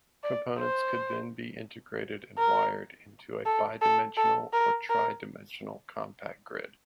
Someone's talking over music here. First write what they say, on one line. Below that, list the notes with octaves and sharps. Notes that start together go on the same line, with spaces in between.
Components could then be integrated and wired into a bidimensional or tridimensional compact grid.
D5
C5
A#4
A4
A4
A4
A#4
A#4